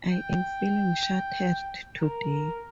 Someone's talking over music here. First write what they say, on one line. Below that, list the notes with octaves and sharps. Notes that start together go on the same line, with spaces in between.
I am feeling shattered today.
G5
A#4